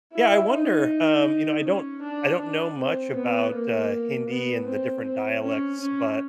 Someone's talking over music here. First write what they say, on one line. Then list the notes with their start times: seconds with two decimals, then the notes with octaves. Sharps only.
Yeah, I wonder, um, you know, I don't I don't know much about, uh, Hindi and the different dialects, but,
0.13 E4
0.51 D#4
1.65 C#4
2.02 D4
2.40 D4
2.78 C4
3.15 B3
3.54 A#3
4.29 B3
4.67 C4
5.04 C4
5.43 C#4
5.81 C#4